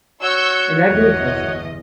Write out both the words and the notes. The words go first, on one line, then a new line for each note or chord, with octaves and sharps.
and that really tells you that
F#4 C#5 C#6 E6 G6
G1 E2 D#5